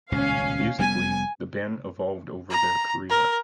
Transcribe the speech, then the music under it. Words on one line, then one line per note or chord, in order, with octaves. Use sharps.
Musically, the band evolved over their career.
D#1 C#2 B2 C#4 F5
F1 G3 B3 G#5
A#5
A#4